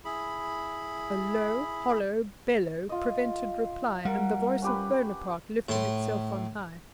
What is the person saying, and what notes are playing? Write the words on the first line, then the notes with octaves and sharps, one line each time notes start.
A low hollow bellow prevented reply, and the voice of Bonaparte lifted itself on high.
E4 G#4 B5
F4 D#5
G3 A#4 F#5
C#4 G4 B4
A2 C6